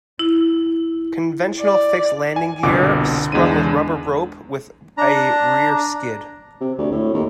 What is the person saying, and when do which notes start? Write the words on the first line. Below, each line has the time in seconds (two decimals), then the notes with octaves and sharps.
Conventional fixed landing gear, sprung with a rubber rope, with a rear skid.
0.19 E4
1.60 D5
2.36 G#5
2.63 G1 C2 B2 D3 D6
3.32 E2 G#3 D4 D#7
4.98 D4 A#5
6.61 C3
6.78 D2
6.92 A2
7.14 D#2